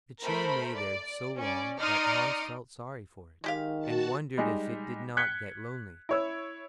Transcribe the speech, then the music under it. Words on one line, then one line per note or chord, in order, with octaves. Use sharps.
The chain lay there so long that Hans felt sorry for it, and wondered if it did not get lonely.
A3 A#4 C5 B5
D5
C#4 D5
D#4 D5 C6 D#6 F6 C#7
D#3 G#3 G4 F5
F#4 A5
G3 G#3 D#4
F#6 G#6 B6 C#7 G7
E4 C#5 E6